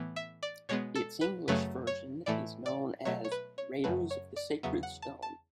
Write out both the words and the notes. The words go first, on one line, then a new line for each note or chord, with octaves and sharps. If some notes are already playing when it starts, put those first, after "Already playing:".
Its English version is known as "Raiders of the Sacred Stone".
Already playing: A2 E3 B3
E5
D5
B2 G#3 B3 C#5
A4
B4
F#2 C#3 F#3 A3 B4
C#5
A2 E3 A3 D5
D5
B2 F#3 A3 C#5
C#5
B4
C#5
F#2 C#3 F#3 A3 B4
C#5
D5
E2 C#3 F#3 B3 E5
F#5
A5
A5